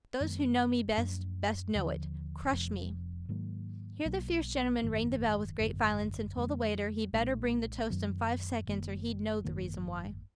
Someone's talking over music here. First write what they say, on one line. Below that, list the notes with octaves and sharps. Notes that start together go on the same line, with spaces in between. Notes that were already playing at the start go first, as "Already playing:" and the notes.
Those who know me best, best know it; crush me!' Here the fierce gentleman rang the bell with great violence, and told the waiter he'd better bring the toast in five seconds, or he'd know the reason why.
F#2 D#3 G#3 B3
F#2 F3 A#3 D4
D#2 D3 F3
F1 F2 F3
G#2 D#3 F#3 A#3
B1 B2 F#3 A#3
G#1 F#2 D#3
G#1 F#2 D3
F2 D3 F3 G#3
B1 A#2 G#3 D4
F#2 D#3 F#3 B3
F#1 F#2 D#3 A#3
G#1 F#2 D#3 A#3